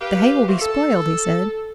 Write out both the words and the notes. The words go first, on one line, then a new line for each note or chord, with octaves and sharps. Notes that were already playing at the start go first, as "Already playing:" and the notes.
"The hay will be spoiled," he said.
G4 B4 F5
F3 A#3 F#4 G4 C5 E5
A4